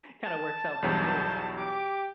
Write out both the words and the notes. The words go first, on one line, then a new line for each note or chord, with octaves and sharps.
kinda works out both ways.
A5
B1 E2 G2 G6
G4 D6